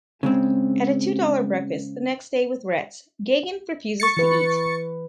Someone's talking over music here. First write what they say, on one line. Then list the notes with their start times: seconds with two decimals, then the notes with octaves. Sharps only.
At a two dollar breakfast the next day with Retz, Gagin refuses to eat.
0.23 C#3 G#3 C4
4.00 C#6 A6 C#7
4.17 E3 B4